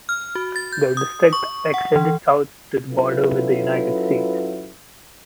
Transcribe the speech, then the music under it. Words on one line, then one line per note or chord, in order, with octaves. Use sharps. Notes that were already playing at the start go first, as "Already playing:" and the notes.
The district extended south to the border with the United States.
F6
F#4
A6
G6
D#6
C#6
F#5
E3
F#3 C#4 E4 F4 A4 B4